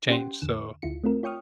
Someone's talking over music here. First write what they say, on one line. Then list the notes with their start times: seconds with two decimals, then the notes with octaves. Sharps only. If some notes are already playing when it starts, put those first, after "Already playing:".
change, so,
0.09 C#4 G4 C5 F#5 G5 C6
0.42 E2 D3 E7
0.82 D2 E4 F4 C#7
1.04 A3 C4 F4 A#4
1.23 F4 C#5 G5 C#6 D#6 F6